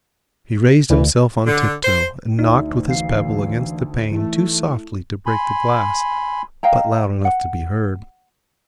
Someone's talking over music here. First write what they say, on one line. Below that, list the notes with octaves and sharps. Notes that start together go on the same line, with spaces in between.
He raised himself on tiptoe, and knocked with his pebble against the pane too softly to break the glass, but loud enough to be heard.
D2 E3
D3
C5
D2 D#4 D5 E5
E3 F5 C7
E3 A3 E4
G#5 B5 C6
D#5 F5 G5 A#5
F#5